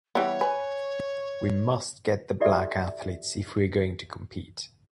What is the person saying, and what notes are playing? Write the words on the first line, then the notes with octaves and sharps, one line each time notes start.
We must get the black athletes if we're going to compete.
E3 G3 B3 C#5
B4 G#5
E4 F#4 G4 A4 D5 E5